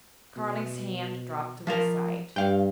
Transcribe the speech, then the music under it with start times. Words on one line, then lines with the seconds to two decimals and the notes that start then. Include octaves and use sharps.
Carling's hand dropped to his side.
0.36 B2
1.67 F3 F4 A#4
2.36 G2 F5 G5